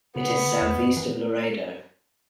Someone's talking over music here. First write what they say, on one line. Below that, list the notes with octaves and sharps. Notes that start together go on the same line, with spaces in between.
It is southeast of Laredo.
C#3 B3
C#3
D3
E2
G#2
F#2
E3